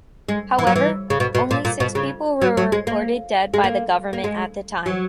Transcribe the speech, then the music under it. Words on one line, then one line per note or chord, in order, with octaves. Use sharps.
However, only six people were reported dead by the government at the time.
G#3
E3
F#3
E3
C#3
B2
B2
A#2
A#2
B2
C#3
F#3
F#3
G#3
A#3
G#3
A#3
A#3
G#3
F#3